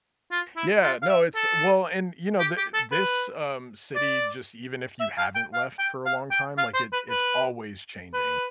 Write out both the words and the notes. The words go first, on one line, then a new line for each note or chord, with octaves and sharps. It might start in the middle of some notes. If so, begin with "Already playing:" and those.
Yeah, no, it's well and, you know, thi this, um, city, just even if you haven't left for a long time, like, it it's always changing.
F4
E4
F4
F5
E5
A4
G4
G4
A4
B4
D5
E5
F5
G5
F5
G5
F5
G5
F5
C5
B4
B4
B4